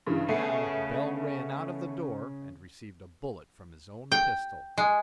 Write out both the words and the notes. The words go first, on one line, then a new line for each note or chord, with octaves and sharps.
Now Bell ran out of the door and received a bullet from his own pistol.
G2 C#3 E3
C#3 A3 B3 G#4 C7
G5
G#3